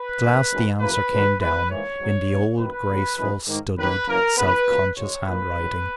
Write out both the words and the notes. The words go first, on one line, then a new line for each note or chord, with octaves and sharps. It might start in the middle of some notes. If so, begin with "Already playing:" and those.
At last the answer came down, in the old graceful, studied, self-conscious handwriting.
Already playing: B4
G#1 F#2 D#3 A#3
G#1 F#2 D#3
F#1 F#2 E3 A#3 B4
A#1 G#2 D#3 F#3
G#1 G#2 E3 B4
G#2 E3 A#3 C#5
G#1 G#2 F#3
F#1 E2 C#3
F#2 D#3 A#3 B4
C#2 C#3 F#3 A#3
F#2 E3 G#3
G#2 D#3 A#3
D#2 D#3 A#3 B4
F#1 F#2 E3 A#3 A#4
E2 C#3 G#3 B3 B4
C#2 B2 A#3
G#1 F#2 C#3 G#3 C#5
A#1 A#2 A#3 B4
A#1 G#2 D#3 F#3